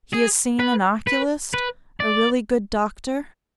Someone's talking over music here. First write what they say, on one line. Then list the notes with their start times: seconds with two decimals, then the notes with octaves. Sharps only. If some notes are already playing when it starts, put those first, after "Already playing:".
'He has seen an oculist?--a really good doctor?'
0.13 G#4
0.60 B4
1.07 B4
1.54 B4
2.00 D5